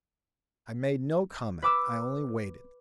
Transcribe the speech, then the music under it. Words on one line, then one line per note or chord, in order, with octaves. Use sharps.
I made no comment; I only waited.
B4 D6 E6